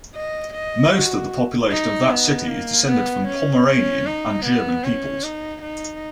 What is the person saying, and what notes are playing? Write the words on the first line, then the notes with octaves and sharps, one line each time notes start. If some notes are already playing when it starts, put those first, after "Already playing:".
Most of the population of that city is descended from Pomeranian and German peoples.
D#5
D#5
F#4
D#4
B3
A#3
B3
C#4
C#4
D#4
B3
C#4
D#4
D#4